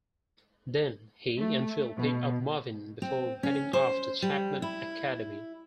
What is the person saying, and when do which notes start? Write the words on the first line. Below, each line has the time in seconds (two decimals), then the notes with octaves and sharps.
Then he and Phil pick up Marvin before heading off to Chapman Academy.
1.39 A3
1.97 B2
3.02 C4
3.43 C#4
3.73 C5
4.22 G3
4.62 E4